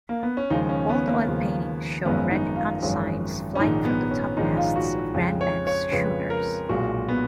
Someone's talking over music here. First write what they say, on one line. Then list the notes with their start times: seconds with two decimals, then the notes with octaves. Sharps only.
Old oil paintings show red ensigns flying from the topmasts of Grand Banks schooners.
0.09 A#3
0.23 B3
0.37 C#4
0.50 D#2 C#3 F3 G#3 D#4
0.69 C#4
0.89 B3
1.08 A#3
1.28 D#2 C#3 F3 G#3
2.05 G#1 F#2 F3 G#3 B3
2.31 D#4
2.56 F4
2.82 G#1 F#2 F3 G#3
3.55 C#4
3.59 A#1 G#2 D#3 G#3 D#4
3.85 B3
4.11 C#4
4.37 A#1 G#2 D#3 G#3 D#4
4.57 F4
4.76 F#4
5.14 F2 C#3 G#3
5.41 C#5
5.67 C#5
5.91 F2 C#3 G#3 B4
6.30 A#4
6.69 B1 A#2 G#3 F#4
7.08 B3